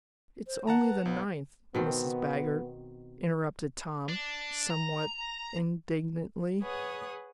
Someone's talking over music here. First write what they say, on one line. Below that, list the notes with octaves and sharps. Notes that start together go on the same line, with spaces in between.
"It's only the ninth, Mrs. Baggert," interrupted Tom, somewhat indignantly.
C5
D#3 F#5 A5 A#5
B4
B1 B3
B2 D#3 B3 C4
D4
A#5
G#4 B4 C#5 F#5 D#6